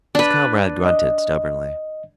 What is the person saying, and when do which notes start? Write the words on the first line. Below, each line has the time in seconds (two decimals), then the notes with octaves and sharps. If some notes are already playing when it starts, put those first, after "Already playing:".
His comrade grunted stubbornly.
0.15 D4 B4
0.86 D#5